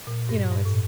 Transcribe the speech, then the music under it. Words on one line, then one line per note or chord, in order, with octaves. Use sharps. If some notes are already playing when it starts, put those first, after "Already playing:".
You know, it's
A#2
G2
G2
A2